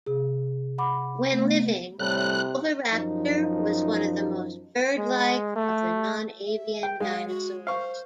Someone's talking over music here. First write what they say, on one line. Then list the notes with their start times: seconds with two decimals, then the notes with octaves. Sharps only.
When living, "Oviraptor" was one of the most bird-like of the non-avian dinosaurs.
0.06 C3 G#4
0.78 F#5 B5 D6
1.33 A3 B3
2.00 A2 C3 G3 F#6
2.90 F#2 F3 D#4
4.98 G#3
5.56 A3
6.47 E5
6.83 G5
7.00 G#3 F5
7.28 F#4
7.67 C5 F5 C#6